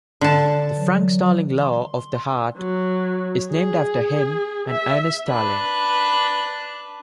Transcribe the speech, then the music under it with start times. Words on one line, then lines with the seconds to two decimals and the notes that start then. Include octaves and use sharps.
The Frank-Starling law of the heart is named after him and Ernest Starling.
0.21 D3 A5
0.77 E3 F#3
1.62 C6
2.57 F#3
3.51 G#4
4.69 E5
5.28 D4 B4